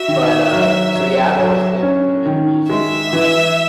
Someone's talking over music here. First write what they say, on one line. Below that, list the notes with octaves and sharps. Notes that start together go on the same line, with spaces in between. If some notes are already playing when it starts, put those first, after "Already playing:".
but, uh, so yeah, I've always been, you know, into music, um,
Already playing: F#4 E5
D#3
F#3
F#3
F#3
C#4
D#3
G#3 E5
E3